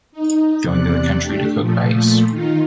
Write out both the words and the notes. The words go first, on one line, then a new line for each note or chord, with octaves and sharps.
Going to the country to cook rice.
D#4
E2 C3 D5 F#6
A3 D4 G4
A#2 F3 A3
D#3 D#4 F4